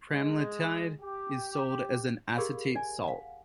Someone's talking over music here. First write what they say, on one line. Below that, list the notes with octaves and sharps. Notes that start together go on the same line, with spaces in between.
Pramlintide is sold as an acetate salt.
G#3
G4
G4 G#4 A#4 D5 F5 B5
D5 G#5
F5 F#5